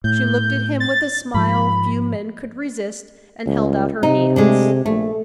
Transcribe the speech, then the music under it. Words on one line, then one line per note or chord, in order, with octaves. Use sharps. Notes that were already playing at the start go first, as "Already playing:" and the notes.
She looked at him with a smile few men could resist, and held out her hands.
A2 G6
A6
G#2 F3 B5
C#2
C3 D#4
G#3 A3 D4
A#1 A3